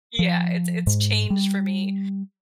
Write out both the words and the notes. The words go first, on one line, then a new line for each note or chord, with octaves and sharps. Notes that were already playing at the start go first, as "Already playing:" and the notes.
Yeah, it's it's changed for me
F3
G#2
G3